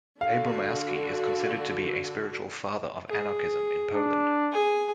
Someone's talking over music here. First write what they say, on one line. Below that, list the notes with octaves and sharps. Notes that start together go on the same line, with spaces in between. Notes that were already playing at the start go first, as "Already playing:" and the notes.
Abramowski is considered to be a spiritual father of Anarchism in Poland.
D3 F#4 F5
G#4
D4
G#4 G#5